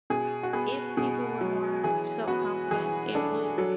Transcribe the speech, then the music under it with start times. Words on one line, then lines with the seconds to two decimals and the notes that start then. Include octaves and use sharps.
if people were more self-confident, it would
0.10 B2 G#4
0.43 F#4
0.53 B3 G#4
0.97 B2 G#4
1.41 F#3
1.84 E3 G#4
2.27 B3 F#4
2.71 E3 G#4
3.15 D4 A4
3.58 F#3 A4